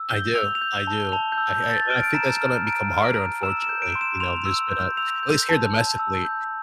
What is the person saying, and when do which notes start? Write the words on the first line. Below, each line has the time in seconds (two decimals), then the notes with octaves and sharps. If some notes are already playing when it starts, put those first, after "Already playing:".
I do, I do, I I and I think that's gonna become harder, unfortunately, you know, there's been a At least here domestically,
Already playing: E6
0.09 G6 G7
0.35 E6 F7
0.55 F7
0.62 G6
0.74 G7
0.87 A5
0.93 G7
1.12 A5 F7
1.32 G6
1.38 E6
1.51 G6
1.64 G6
1.70 A6
1.90 F6 D7
2.03 D7
2.15 A#5 E7
2.41 F6
2.67 A#5 D7
2.91 F6
3.04 D7
3.17 A#5
3.43 E6 E7
3.62 E7
3.69 G6
3.82 D7
3.95 C6
4.01 E7
4.20 C6 F7
4.45 E6
4.72 G6
4.97 E6 F7
5.23 G6
5.49 A5
5.74 A5
5.99 E6
6.25 G6